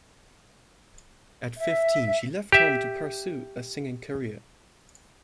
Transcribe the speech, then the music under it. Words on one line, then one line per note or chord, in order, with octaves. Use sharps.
At fifteen, she left home to pursue a singing career.
E5
G4 E5